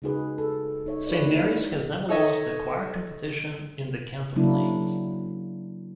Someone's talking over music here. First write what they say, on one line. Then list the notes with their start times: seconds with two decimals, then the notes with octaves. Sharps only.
Saint Mary's has never lost a choir competition in the Kanto Plains.
0.02 C#3 G#3 D#4 F#4 G#4 B4
0.38 A4
0.86 D#4 C#5 E5
1.07 D4 F#4 B4 C#5 D5
1.26 A#3 D#4 E4 A#4
1.45 G#3
2.09 D#4 A4 C#5 D#5 E5
4.36 C#3 F#3 A#3 D4 E4